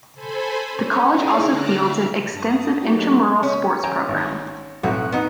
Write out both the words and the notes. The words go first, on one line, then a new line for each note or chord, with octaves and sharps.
The college also fields an extensive intramural sports program.
A4 C5 G#5 B5
C#4
D#4 E4 G#4 C#5 D5 F5
D3 A5 A#5 D6 F6 F#6
E5 F5
G2 A5 D#6
F#3 A3 A#3 D#4 F#4 G4
C#4
G5 G#5 A#5
G#1
B1 F2 A2 F#4
B3 D#4